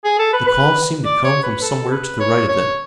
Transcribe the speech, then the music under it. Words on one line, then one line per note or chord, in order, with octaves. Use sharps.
The call seemed to come from somewhere to the right of them.
G#4
A4
B4
B4
D5
C#5
B4
A4
B4
C#5
C#5